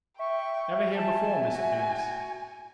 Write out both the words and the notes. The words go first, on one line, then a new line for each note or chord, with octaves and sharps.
Ever here before, Mr Venus?'
E5 G5 C#6
G#5 A5
F#4